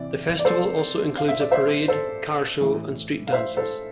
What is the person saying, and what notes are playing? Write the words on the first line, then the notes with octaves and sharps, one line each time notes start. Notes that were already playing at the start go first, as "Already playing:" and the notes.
The festival also includes a parade, car show, and street dances.
Already playing: C3 E3 D5
D5
A4 C5
F5
E5
D5
C5 E5
A4 C5
A2 E3
F5
C5 E5
A4 C5